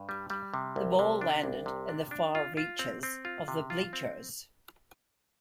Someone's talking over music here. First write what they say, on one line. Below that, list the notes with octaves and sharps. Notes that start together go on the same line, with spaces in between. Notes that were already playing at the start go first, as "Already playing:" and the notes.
The ball landed in the far reaches of the bleachers.
Already playing: G2
G3
G3
C3
C2
C3
D4
C2
C3
D4
D4
F4
F4
C4
C4
F4
C3
F4
C4